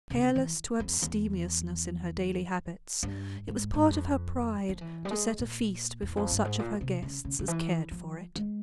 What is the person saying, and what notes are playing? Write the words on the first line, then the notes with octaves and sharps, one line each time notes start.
Careless to abstemiousness in her daily habits, it was part of her pride to set a feast before such of her guests as cared for it.
C3
C#3
E3
F2
E2
G2
G#2
G#2
G2
F2
F3
E3
G3
G#3
A#2
E2
F2
G2
G#2
A#2
C3
C#3
C#3
C#3
E3
F3
G#3